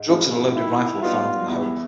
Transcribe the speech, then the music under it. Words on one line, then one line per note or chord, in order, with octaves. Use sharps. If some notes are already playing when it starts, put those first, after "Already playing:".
Drugs and a loaded rifle were found in the home.
Already playing: G#2
F3 G#3 C#4 E4
D#3 E4
G3 B3 D#4 F4 F#4
E2 E4